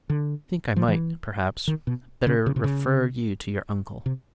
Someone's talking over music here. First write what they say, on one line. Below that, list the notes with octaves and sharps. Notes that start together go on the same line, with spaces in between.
"I think I might, perhaps, better refer you to your uncle."
D3
F3
E3
D#3
B2
C#3
C#3
C3
C#3
C3